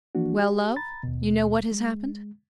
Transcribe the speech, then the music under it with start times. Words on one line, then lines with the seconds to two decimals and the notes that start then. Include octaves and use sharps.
"Well, love--you know what has happened?"
0.15 E3 F3 A#3 D4 F#4
0.39 G4
0.76 A#5 B5 A6
1.03 D#2 B2
1.72 G#3